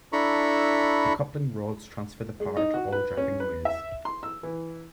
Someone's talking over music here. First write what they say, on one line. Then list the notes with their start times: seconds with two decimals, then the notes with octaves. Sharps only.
The coupling rods transfer the power to all driving wheels.
0.13 D4 E4 A4 A#5 B5 C#6
2.40 G#3
2.57 D#4
2.74 F#4
2.92 B4
3.17 C#4
3.40 B4
3.65 E5
4.05 C6
4.23 E6
4.43 E3